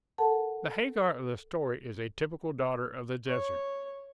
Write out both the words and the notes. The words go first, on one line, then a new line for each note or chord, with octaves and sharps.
The Hagar of the story is a typical daughter of the desert.
A4 A#4 F#5 A5
C#5